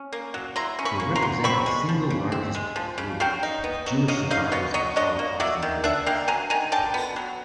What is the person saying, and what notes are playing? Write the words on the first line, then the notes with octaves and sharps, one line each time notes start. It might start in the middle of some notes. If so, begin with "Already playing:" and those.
They represent the single largest group of Jewish survivors of the Holocaust in Vilnius.
Already playing: C#4
A#3
F#3
E4 A#5 C6
C#4
B5 C#6
A#3
A#5 C6
F#3
C4 B5 C#6
G#3
F3
C#3
C4
G#3
F3
C#3
F#3 F5 G5
D#4
B3
F#3
F#3 D#5 F5
D#4 D#5 F5
B3 C#5 D#5
F#3 C#5 D#5
D4 C#5 D#5
A#3
F#3 D5 E5
D#3
D4 E5 F#5
A#3 F5 G5
F#3 G#5 A#5
D#3 G#5 A#5
D3 G5 A5
B3
F#3